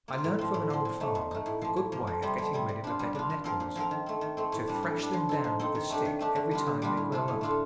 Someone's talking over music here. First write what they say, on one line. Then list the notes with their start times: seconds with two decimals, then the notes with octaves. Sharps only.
I learnt from an old farmer a good way of getting rid of a bed of nettles--to thrash them down with a stick every time they grow up.
0.08 A#3 F4
0.24 A2
0.39 F3 C4
0.54 A2
0.70 F3 C4
0.85 A#2
1.00 A3 D#4
1.15 A#2
1.31 A3 D#4
1.46 A2
1.62 F3 A#3
1.76 A2
1.92 F3 A#3
2.07 F2
2.22 C3 G3 C4
2.38 F2
2.53 C3 G3 C4
2.69 G3
2.84 D4 F4
2.99 G3
3.15 D4 F4
3.30 A#2
3.44 F3 C4 F4 A#4
3.60 A#2
3.75 F3 C4 F4 A#4
3.91 D#3
4.06 A3 C4
4.21 D#3
4.37 A3 C4
4.52 A2
4.67 G3 D4
4.83 A2
4.98 G3 D4
5.13 F3
5.29 C4 D#4 A4
5.44 F3
5.60 C4 D#4 A4
5.75 D#3
5.90 A3 D4 G4
6.05 D#3
6.20 A3 D4 G4
6.35 D3
6.51 G3 D4 F4
6.66 D3
6.82 G3 D4 F4
6.97 A2
7.12 A3 D4 F4 A4
7.28 A2
7.41 A3 D4 F4 A4